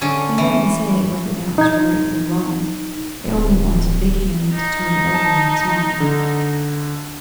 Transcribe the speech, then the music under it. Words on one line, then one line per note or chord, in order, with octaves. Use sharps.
They wouldn't say whether that was right or wrong; they only wanted Big Hand to turn it over in his mind.
D3 C#4
E3
D#4 G#6
D1
D#4
A5
D3